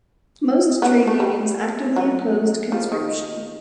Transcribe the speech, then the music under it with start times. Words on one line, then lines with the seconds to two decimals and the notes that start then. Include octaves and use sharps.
Most trade unions actively opposed conscription.
0.82 B3
1.07 A3
1.20 G3
1.96 F#3
2.72 F3
2.92 D#3